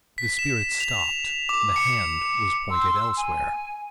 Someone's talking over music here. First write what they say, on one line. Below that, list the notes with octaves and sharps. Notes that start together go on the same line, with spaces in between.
The Spirit stopped; the hand was pointed elsewhere.
B6
E7
F7
D6
C#7
C6 E6
G#5